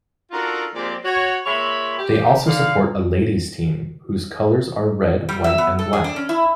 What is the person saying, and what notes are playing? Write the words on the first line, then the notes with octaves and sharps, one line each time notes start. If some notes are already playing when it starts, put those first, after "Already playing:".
They also support a ladies' team, whose colours are red, white and black.
D4 D#4 F4 F#4 A4 A#4
F3 G#3 A#3 C4 G4 D5
F#4 C#5
A#2 G#3 C#5 E5 B5
G4
D3 F5
G3
E5
B3
A4
G#4
D4
C#4
E4